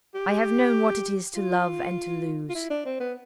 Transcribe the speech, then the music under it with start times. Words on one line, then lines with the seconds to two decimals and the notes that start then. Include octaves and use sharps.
I have known what it is to love and to lose.
0.15 G4
1.36 F4
2.50 F4
2.55 E4
2.71 D4
2.86 C4
3.00 B3